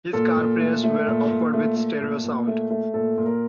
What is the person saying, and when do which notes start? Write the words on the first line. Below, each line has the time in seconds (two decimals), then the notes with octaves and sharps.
His car players were offered with stereo sound.
0.13 A#2 A4
0.37 A#2
0.60 A3
0.84 A3
1.07 A#2
1.31 A#2
1.54 A3
1.77 A3
2.01 A#2
2.24 A#2
2.47 A3
2.71 A3
2.94 A#2 A4
3.18 A#2
3.26 A#4